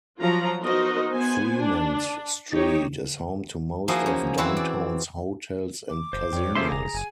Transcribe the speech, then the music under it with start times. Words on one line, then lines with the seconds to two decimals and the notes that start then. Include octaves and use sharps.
Fremont Street is home to most of downtown's hotels and casinos.
0.21 F3 F#3 F4 A#5
0.63 B3 D#4 F#4 A#4 C5 D#5
1.14 B3 C5 G#5
1.60 D4
2.51 D#4 G4 C#5
3.88 F3 A#3 D#4 E4 F#4 G#4
4.06 C#4
4.38 E3 C4 F#4 B4
4.57 D5
5.90 D6
6.13 F#1 C5
6.33 F2 C#5 D5 G5
6.55 C#3 A#3 F4 A4 C5 E5 C6
6.72 E1 G#4 A#5
6.94 F#1 G#5